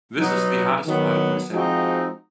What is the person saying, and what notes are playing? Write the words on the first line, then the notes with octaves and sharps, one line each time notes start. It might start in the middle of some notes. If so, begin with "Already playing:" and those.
This is the hardest part of my setup.
B2 F#3 B3 D#4
D#3 F#3 B3
F3 G#3 C4 D#4 F#4